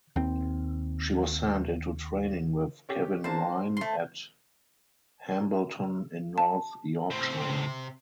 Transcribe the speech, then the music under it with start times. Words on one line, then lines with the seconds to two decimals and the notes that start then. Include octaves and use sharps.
She was sent into training with Kevin Ryan at Hambleton in North Yorkshire.
0.16 D#2 C4
2.89 C#4 G4
3.24 A#3 C4 D4 C5 A5
3.77 A3 C6
6.38 A5
7.10 A2 C3 C4 C5